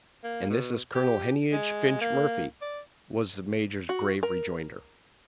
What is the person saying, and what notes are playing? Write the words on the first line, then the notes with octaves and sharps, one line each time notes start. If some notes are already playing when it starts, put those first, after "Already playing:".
"And this is Colonel Heneage Finch Murphy," was the major's grave rejoinder.
A#3
B2
G4
G#3
A#3
D5
F#4
A#4